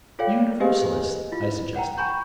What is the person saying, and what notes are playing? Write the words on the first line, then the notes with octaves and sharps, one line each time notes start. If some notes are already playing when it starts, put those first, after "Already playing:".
"Universalist?" I suggested.
F4 A4 C#5 D5 F5 G5
G4 G#4 B4 D#5 F5 G#5
E4 F4
F#5 G5 A#5
G5 G#5 A#5 B5 C#6 G6